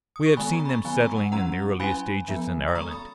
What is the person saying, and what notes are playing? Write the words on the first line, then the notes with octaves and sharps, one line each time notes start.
We have seen them settling, in the earliest ages, in Ireland.
D#6
C#6
D#3 G#3 B3 G#5 B5
A#5 C#6
B5
A#5 C#6
D#3 F#3 B3 G#5 B5
A#5 C#6
F#5 A#5
F#3 C#4 F#5 A#5
F#3 C#4 G#5 B5
F3 B3
D#6
D#3 G#3 B3 A#5 C#6
B5 D#6